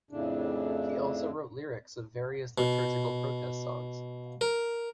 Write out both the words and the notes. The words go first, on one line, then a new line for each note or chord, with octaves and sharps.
He also wrote lyrics of various liturgical protest songs.
F2 A2 C#3 D4
B2
A#4